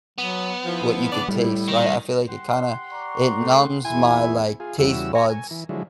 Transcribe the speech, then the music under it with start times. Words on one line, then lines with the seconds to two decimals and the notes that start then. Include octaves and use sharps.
what you could taste, right, I feel like it kinda it numbs my, like, taste buds
0.18 F#3 B3
0.65 F3 E4
1.12 C#3 D4 D5
1.28 A2 G3 E4
1.68 D#3
2.28 G4 F#5 C6
2.93 D5 A#5 C#6
3.36 A3
3.85 E2 E4 G#5
4.60 F4 G#4
4.79 E2 C#3 G3 E4 F#4 E6
5.15 A#4 G#5 A#5 C#6
5.29 G#5
5.51 E3
5.69 D3 F3 F#3 G#3 E4